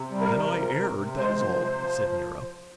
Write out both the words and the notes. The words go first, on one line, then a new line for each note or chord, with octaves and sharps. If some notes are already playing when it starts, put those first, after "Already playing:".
"Then I erred, that is all," said Nero.
Already playing: C3
G3
A#4
C3
F3
C3
C3
G#3 C5
F3
C3
F3